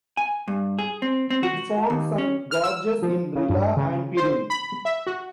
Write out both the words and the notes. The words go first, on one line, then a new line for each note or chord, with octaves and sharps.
It forms some gorges in Rila and Pirin.
G#5
G2
G#4
C4
C4
F#4
D#2
C#4
F6
E6
F3
C#3
G2
C#3
C5
B5
E5
F#4